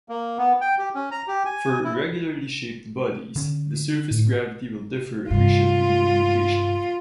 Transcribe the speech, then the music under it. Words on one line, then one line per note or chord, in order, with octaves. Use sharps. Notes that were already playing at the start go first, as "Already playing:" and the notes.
For irregularly shaped bodies, the surface gravity will differ appreciably with location.
A#3
B3
G5
G4
C#4
A#5
G4
G#5
E4
D3 C#4
A2
G2 C3 F4